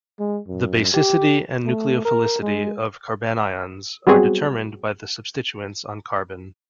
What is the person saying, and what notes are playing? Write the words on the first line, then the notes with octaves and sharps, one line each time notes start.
The basicity and nucleophilicity of carbanions are determined by the substituents on carbon.
G#3
F#2
G4
A3
A#4
G#3
F#3 G3 B3 C4 F#4 G#4